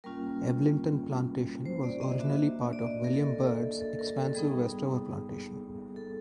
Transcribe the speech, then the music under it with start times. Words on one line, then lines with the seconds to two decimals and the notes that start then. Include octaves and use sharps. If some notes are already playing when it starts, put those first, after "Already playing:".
Evelynton Plantation was originally part of William Byrd's expansive Westover Plantation.
0.04 G3 A#3 C#4 F4 A#4
1.66 C5
1.83 D5
2.01 D#5
2.19 A#3 D4 F#4 E5
2.73 D5
2.87 D#5
3.04 A#4
3.13 A4
3.81 A4
3.99 A#4
4.17 A4
4.35 G3 B3 D#4 G#4
5.96 A4